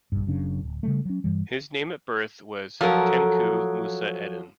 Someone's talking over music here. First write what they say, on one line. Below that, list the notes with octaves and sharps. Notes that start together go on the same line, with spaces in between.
His name at birth was Tengku Musa Eddin.
A#1 G2
F#1 F#2 C#3 D4
D1
C#3 G3 A3
F#3 C#4
G2 E3 G3
F3 F#3 A4 A#4